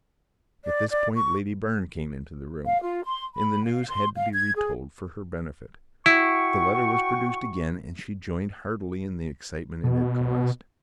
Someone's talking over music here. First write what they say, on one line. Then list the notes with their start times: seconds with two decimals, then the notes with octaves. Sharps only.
At this point Lady Byrne came into the room, and the news had to be retold for her benefit; the letter was produced again, and she joined heartily in the excitement it had caused.
0.65 D5
0.91 D5
1.16 C#6
2.66 F5
2.81 F4
3.04 C6
3.35 B5
3.64 F5
3.88 C6
4.16 F5
4.33 G#6
4.54 G#4
6.06 E4 F#4 G5 C#6
9.84 B2